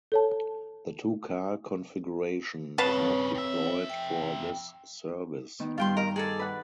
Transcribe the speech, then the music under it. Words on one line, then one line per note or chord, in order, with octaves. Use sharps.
The two-car configuration is not deployed for this service.
A4 C#5 A5
G2 C#3 C4 B4 C#5 F5 A5
F2 E5
G5
D#3 B3
G2 D#3 G3 F4 G5 C6
A#4 D#5 A#5
G#4 A4 D5
B4 F#5